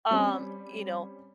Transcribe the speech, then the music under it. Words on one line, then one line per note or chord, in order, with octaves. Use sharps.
um, you know,
G3 C4 C#4